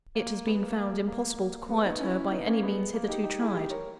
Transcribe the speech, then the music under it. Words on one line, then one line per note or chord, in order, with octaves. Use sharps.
It has been found impossible to quiet her, by any means hitherto tried.
A#3
G#3 B3
A#3
A#3
G#3
A#3
G#3 B3
B3 D#4
C#4 E4
B3 D#4
A#3 C#4
G#3 B3
A#3
D#4 G4
D#4 G4
E4 G#4
D#4 G4
A#4 C#5